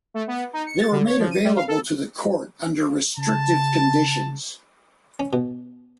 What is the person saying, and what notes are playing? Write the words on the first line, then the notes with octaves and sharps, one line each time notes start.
They were made available to the court under restrictive conditions.
A3
B3
D#4
C#7
A6
D3
C#5
F3
D#7
G3
F5
A4
C#3 A5
C#4
B2